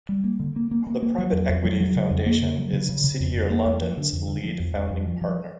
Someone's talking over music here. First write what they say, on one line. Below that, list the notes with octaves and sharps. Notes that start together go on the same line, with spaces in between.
The Private Equity Foundation is City Year London's Lead Founding Partner.
G3
A#3
D3
A#3
A#3
A#3
A#3
F#3
F2
F2
F#3
F#3
C#3
F2
A#3
C#3
F#3
C#3
C#3
C#3
F2
F2
A#3
F2
F3
D3
F2
D3
F3
F2
F2
F2
F3
F3